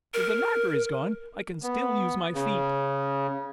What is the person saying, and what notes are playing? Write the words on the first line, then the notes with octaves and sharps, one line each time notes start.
"If the knocker is gone, I can still use my feet."
A#4
B3
C#3